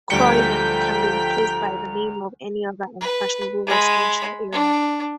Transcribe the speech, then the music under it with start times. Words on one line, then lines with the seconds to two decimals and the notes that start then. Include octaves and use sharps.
"Croydon" can be replaced by the name of any other unfashionable residential area.
0.10 D2 F3 G3 A4 G5 A#5 B6 C#7
3.01 B4
3.67 G#3 B5
4.52 D4